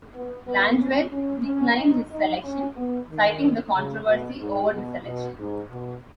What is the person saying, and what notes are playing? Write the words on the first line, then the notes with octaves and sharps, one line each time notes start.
Langeveldt declined his selection, citing the controversy over the selection.
B3
B3
C#4
C#4
C#4
D#4
D#4
C#4
B3
D#3
C#3
B2
G#2
B2
B2
G#2
B2